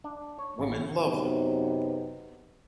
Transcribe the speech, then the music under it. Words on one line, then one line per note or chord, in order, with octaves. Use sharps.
Women Love Him!
D4
C#5
A1
F#2 C3 B3 D#4